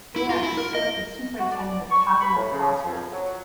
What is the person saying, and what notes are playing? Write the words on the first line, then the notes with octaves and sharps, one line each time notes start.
There, he served as Superintendent of Tadalay Hospital.
E4
F4
E4
A#4
D#5
F#4
D5
C#6
B5
A2
C#3
F2
F#3